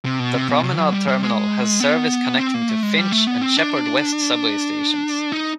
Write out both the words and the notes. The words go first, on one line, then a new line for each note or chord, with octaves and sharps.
The Promenade Terminal has service connecting to Finch and Sheppard West subway stations.
C3
B2
C3
B2
C3
F#3
G3
G3
G#3
B3
C4
A#3
A3
G#3
G3
A3
B3
C4
D4
D#4